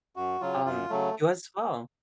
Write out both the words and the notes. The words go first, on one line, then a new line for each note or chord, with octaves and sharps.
um, you as well.
F#2 F#4
C#3 F#3 F4
F#2 F4
C#3 F#3 A3